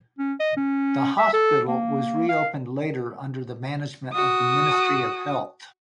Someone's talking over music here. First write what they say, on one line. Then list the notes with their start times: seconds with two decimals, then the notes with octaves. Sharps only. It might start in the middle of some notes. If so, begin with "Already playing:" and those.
The hospital was reopened later under the management of the Ministry of Health.
0.19 C#4
0.40 D#5
0.57 C#4
1.18 E5
1.33 A4
1.68 A#3
2.29 F5
4.13 F#4 D#6